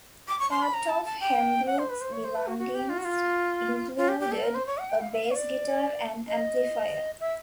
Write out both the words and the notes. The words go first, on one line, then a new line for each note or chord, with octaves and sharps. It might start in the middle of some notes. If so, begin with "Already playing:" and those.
Part of Hembrook's belongings included a bass guitar and amplifier.
D6
C#6
C6
B5
A#5
A5
A5
G5
F#5
C5
B4
C5
C#5
C5
B4
F#4
F#4
G4
F4
F#4
F4
F4
G4
G4
A4
A#4
C5
C#5
F#5
G5
F5
E5
F5
C#5
D5
D#5
E5